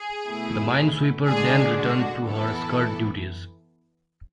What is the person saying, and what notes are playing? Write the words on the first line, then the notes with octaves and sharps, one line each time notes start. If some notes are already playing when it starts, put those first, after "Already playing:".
The minesweeper then returned to her escort duties.
Already playing: G#4
B2 A3 E4
D3 G#3 D4 G#4
F#4
E3 B3 E4 A4